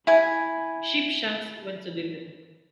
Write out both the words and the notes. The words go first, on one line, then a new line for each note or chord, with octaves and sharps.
Sheepshanks went to live with him.
E4 G#5